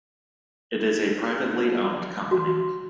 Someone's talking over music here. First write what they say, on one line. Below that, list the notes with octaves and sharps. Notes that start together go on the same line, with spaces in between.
It is a privately owned company.
F#4